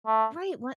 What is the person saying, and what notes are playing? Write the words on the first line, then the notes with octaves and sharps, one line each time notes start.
Right. What
A3